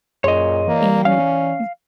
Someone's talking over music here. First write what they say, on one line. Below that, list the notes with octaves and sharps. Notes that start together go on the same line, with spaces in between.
And m
F#2 A#2 G#4 C#5 D#5 C6
E3 A#3 D5
C#4 F5